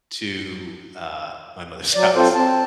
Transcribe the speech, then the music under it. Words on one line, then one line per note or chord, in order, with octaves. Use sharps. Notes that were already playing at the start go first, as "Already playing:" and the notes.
to, uh, my mother's house?"
F#3 D5
C4 F4 A4 C5
C4 A5